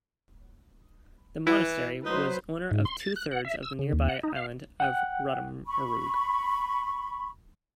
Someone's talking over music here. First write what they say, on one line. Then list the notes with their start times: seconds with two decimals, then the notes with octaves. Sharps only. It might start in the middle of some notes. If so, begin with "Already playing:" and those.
The monastery was owner of two-thirds of the nearby island of Rottumeroog.
1.47 E3 E4
2.06 F#3 D#4 B4 C5
2.71 G#2
2.85 C6
3.00 A6
3.16 F#6
3.31 F#5
3.45 E5
3.63 E6
3.79 C#3
3.93 D#2
4.09 F#5
4.23 D#4
4.36 F5
4.80 F#5 G5 F#6
5.67 B5 C#6